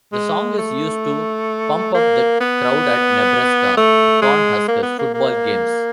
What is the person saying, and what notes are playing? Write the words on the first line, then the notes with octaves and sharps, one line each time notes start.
The song is used to pump up the crowd at Nebraska Cornhuskers football games.
G#3
A3
A#3
B3
A3
G#3
A#3
B3
A#3
A#3